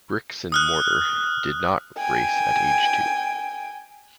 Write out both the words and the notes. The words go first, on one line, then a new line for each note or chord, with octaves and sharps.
Bricks and Mortar did not race at age two.
D#6 F6 F#6
G5 G#5